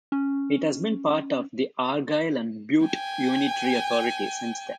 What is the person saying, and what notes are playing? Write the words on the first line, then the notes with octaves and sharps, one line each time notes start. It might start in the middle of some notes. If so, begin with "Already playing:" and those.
It has been part of Argyll and Bute unitary authority since then.
C#4
G5 G#5